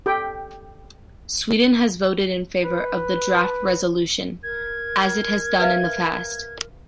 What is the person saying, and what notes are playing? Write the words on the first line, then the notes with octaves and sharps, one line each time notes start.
Sweden has voted in favor of the draft resolution, as it has done in the past.
G4 A4 G5
B4
A#4 G#6
B4 E5 F5